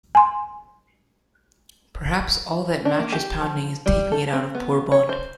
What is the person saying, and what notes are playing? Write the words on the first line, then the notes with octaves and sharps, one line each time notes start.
Perhaps all that mattress pounding is taking it out of poor Bond.
G#5 C6
D4
A#3
G4
F3
G3
A4
C4
B3
C#5
C5